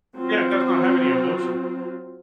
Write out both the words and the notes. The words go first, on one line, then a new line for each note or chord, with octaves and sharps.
Yeah, it does not have any emotion.
F#3 C4 F4